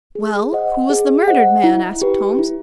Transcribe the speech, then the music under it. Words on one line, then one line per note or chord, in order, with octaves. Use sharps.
"Well, who was the murdered man?" asked Holmes.
G#4
C5 D#5 F#5
G#4
C5 D#5 F#5
E4
G4 B4
E4